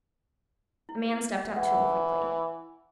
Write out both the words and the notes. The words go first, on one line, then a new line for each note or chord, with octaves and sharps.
A man stepped up to him quickly.
E4
E3 F#5